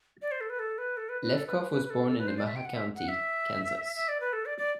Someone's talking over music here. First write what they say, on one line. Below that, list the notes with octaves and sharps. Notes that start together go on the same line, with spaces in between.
Lefkow was born in Nemaha County, Kansas.
D5
C5
A4
B4
A4
B4
A4
B4
B4
A4
B4
B4
B4
B4
A4
A4
B4
C5
D5
E5
G5
F#5
E5
F#5
E5
E5
D5
B4
A4
D5
D5